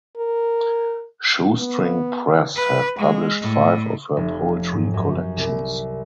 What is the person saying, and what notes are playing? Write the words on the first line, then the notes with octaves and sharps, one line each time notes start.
Shoestring Press have published five of her poetry collections.
A#4
B3
B4
G#3
A2
F1
G#2
F#2
C2